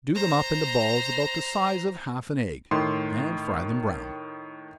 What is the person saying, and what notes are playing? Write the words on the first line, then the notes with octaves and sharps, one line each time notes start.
Do them up into balls about the size of half an egg, and fry them brown.
C5 A#5
A2 D#3 C6